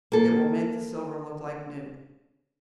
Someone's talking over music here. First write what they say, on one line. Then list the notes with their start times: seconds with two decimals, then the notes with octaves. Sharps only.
It will make the silver look like new.
0.12 A#3 A4